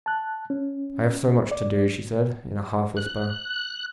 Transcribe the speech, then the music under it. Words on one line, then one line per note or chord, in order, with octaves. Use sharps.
"I have so much to do," she said, in a half-whisper.
A5 F#6
C#4
D5
F#6